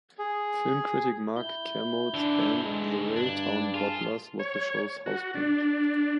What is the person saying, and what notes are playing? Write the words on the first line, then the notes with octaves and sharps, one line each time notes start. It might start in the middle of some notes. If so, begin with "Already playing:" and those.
Film critic Mark Kermode's band The Railtown Bottlers was the show's house band.
G#4
E4 G6
D3 E3 D4
G#3
G2 D4 F#6 G#6
F4 G#4 A5
C#5
F#4
D4